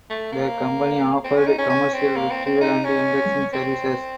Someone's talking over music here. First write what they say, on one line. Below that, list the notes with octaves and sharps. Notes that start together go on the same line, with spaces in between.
The company offered commercial retrieval and indexing services.
A3
A#3
C4
C#4
D#4
C#4
C#4
C4
A#3
C4
C4
D#4
C#4
C4